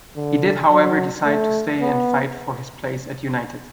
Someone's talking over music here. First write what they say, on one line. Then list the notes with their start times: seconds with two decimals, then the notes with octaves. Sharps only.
He did however decide to stay and fight for his place at United.
0.16 D3
0.70 F#3
1.25 A3
1.80 B3